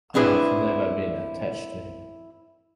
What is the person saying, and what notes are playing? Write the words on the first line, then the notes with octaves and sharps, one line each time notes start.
I have never been attached to him.
C4 D4 E4 G#4 B4